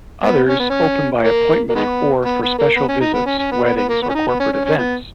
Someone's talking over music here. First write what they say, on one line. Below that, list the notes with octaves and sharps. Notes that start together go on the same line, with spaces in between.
Others open by appointment or for special visits, weddings or corporate events.
B3
C#4
B3
C#4
A#3
A#3
D#3 G#3 B3
B3
B3
A#3
B3
C#4
D#4
B3
C#4
C#4
B3
B3
B3
A#3
B3
C#4
D#4
B3
C#4
C#4
C#4
B3